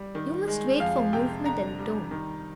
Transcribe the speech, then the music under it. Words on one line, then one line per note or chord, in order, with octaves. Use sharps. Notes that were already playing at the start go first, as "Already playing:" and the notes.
You must wait for movement and tone.
Already playing: G3
D#3
G#3
F2 F5
C3 G5
D3 A#5
G3
D#3